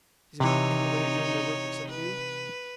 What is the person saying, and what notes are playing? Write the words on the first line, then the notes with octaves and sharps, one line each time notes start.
Isn't everybody doing their work except you?
C3 E3 D#4 C#5
B4